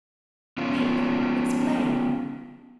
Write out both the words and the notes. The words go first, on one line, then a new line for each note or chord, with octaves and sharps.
Speak, explain!
B3 C#4 F4